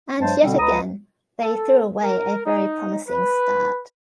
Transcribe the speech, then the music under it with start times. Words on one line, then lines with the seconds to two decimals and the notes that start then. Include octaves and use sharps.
And yet again, they threw away a very promising start.
0.19 G2 F#3 G#3 C5 A5
0.42 B2 D3 G3 C4
0.58 C#2 B4 A#5 D#6
1.41 A4
2.02 A#4
2.46 D#4
3.07 B4